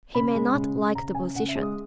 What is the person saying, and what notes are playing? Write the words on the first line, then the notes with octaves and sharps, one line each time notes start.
He may not like the position.
C#3 B5
G#3
C#3
C#3
C#3 A#5
C#3 G#5
C#3 F#5
E5
G#3
D#6